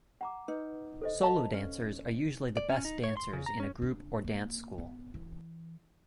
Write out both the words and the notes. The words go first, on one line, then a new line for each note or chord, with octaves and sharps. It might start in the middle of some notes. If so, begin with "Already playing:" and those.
Solo dancers are usually the best dancers in a group or dance school.
F#5 A#5 D6
D#4 B4
A4 C5 D#5
F5 A5 A#5
C#4
D5
C#4
D#4
C#5
C6
C#3
A#5
C#4
D4
A#3
B3
E3